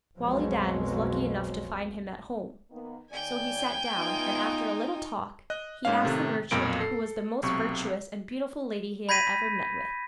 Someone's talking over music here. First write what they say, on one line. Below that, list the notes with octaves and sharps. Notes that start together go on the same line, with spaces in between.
Wali Dad was lucky enough to find him at home, so he sat down, and after a little talk he asked the merchant who was the most virtuous and beautiful lady he had ever met with.
B1 F2 B2 F3 F#3 G#3
D#3 A#3 B3
D#2 D5 G5 G#5
E2 B3 D#4 F4
D#5 F#6
G#2 A#3 C#4 F5
A2 C3 D#3 A3
B1 F2 A#2 A#4 D7
A4 C7
B1 C3 C#6
B5 G6 G#6 A#6 B6 D#7